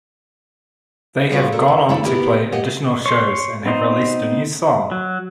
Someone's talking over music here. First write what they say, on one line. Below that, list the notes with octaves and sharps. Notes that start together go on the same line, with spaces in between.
They have gone on to play additional shows and have released a new song.
G3 A#3 B3 F4 F#4
A4 A#4 D5
E3 A#4
A3 E4 D5
B3 E4 G4 A#4
G4 D#5 F#5 G#5
C#5 C6
B3 C4 D#4 C5
F#3